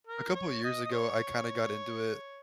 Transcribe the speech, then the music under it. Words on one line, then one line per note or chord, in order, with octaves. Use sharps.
a couple years ago, I kinda got into it
A#4
C#5
D#5
D#5
C#5